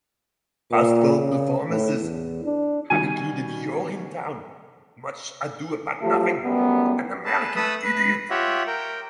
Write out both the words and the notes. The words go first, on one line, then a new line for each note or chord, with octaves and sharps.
Past fall performances have included Urinetown, Much Ado About Nothing and American Idiot.
A#2
C#3
A2
E2
D4
B2 D#3 G3 G#5
F3 F#3 A3 G4
F#2 A2 G3 B3
G#4 B4 A5
A3 A4 B4 B5 D#6 E6
B4
F4 G4 C#5 E5 F#5
A#4 G5